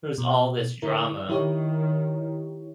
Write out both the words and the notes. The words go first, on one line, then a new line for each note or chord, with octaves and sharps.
"There's all this drama."
B2
D3 E4 A#4
D#3 E4 G4 C#5